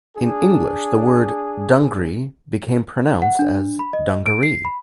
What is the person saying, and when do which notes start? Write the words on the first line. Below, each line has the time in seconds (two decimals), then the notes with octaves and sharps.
In English, the word "dungri" became pronounced as "dungaree".
0.17 D4 G#4
3.22 F#5
3.39 D4
3.79 B5
3.93 D#5
4.26 D7
4.43 C7
4.65 B5